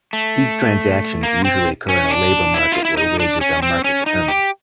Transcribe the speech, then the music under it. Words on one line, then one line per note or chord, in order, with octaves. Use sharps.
These transactions usually occur in a labour market where wages are market determined.
A3
A#3
C4
C#4
D4
E4
F4
E4
D#4
D4
C#4
C4
C#4
D#4
G4